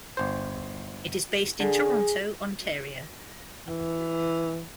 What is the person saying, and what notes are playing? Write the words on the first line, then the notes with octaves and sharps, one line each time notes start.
It is based in Toronto, Ontario.
G1 C5
D3 G#4
E3